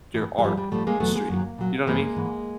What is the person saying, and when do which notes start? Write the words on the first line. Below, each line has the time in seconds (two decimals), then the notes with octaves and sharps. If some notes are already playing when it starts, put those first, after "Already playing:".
your art history, you know what I mean?
0.15 A2 E3
0.38 G#3
0.43 G#2 F3 G3
0.57 G3
0.71 A2 F3 G3 A3
0.87 G#3 A#3
1.00 E2 B2 F#3 A3 B3
1.15 G#3 A#3
1.29 F#2 D#3 F#3
1.58 A#2 F#3
1.87 G2 E3 G#3 A#3
2.16 G#2 E3